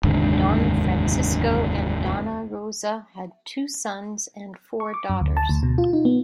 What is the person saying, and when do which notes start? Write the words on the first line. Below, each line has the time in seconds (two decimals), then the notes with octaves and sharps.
Don Francisco and Donna Rosa had two sons and four daughters.
0.04 F1 D#2 G#2 D3
4.80 C#6
4.94 D6
5.10 F#2
5.21 D2
5.37 A5
5.49 D2
5.63 B2
5.78 F4
5.93 D#4
6.05 B3